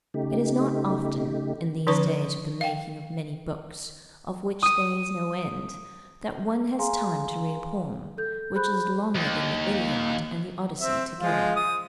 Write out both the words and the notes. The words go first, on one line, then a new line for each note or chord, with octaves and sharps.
It is not often, in these days of the making of many books of which there is no end, that one has time to read a poem which is longer than the 'Iliad' and the 'Odyssey' together.
C#3 A3 D#4 G4
D3 F3 C#4 D#4 B4 C#6
F5 G5
D#6 D#7
G#4 F5 G#5 A#5 C6
A4 G6
G#4 C5 B5 F#6 G6
D#2
C4 E5
F3 G#3 F4
D#6